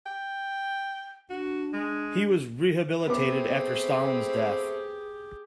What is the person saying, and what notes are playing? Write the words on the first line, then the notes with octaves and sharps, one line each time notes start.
He was rehabilitated after Stalin's death.
G5
D4 F#4
G#3
A3 B3 C4 G4 G#4 D6